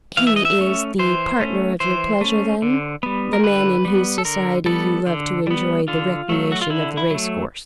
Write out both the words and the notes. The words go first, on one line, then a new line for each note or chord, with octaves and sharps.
"He is the partner of your pleasure then;--the man in whose society you love to enjoy the recreation of the race-course."
E3 F5
E5
D#5
E5
A3 C#4
E3 C5
A3 C#4
E3 C5
A3 C#4
D3
G3 B3
A#4
D3 B4
G3 B3
A4
D3 A#4
G3 B3 A4
D3
G3 B3
D3 F4
F#3 A3
F#4
F4
D3 E4
E4
F#3 A3